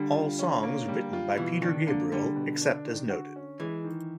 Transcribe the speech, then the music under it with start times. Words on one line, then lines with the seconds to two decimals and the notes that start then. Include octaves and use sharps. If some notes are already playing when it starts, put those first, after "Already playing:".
All songs written by Peter Gabriel except as noted.
Already playing: D3 G3
0.14 F4
0.39 C#4
0.63 A#3
0.88 G3
1.13 F4
1.37 B2 E3
1.62 D#3 D4
1.87 D3 A#3
2.12 D3 G3
2.36 B2
2.61 D4
2.85 D#3
3.10 F#4
3.36 C#4
3.60 E3 G#3
3.84 D#3